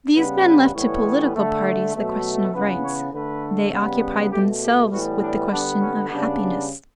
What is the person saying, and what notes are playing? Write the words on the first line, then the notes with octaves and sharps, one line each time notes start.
These men left to political parties the question of rights, they occupied themselves with the question of happiness.
C#3 G3 B3 B4
B4
A2 E3 G3 B3 C#5
D3 A3
B2 F#3 A3
C#3 E3 B3 B4
C#5
D3 A3 B4
C#3 G3 B3
B2 A3 G4
G4
A2 E3 G3 B3 F#4
D4
D3 G3 B3 D4
C#4
C#3 G3 B3 D4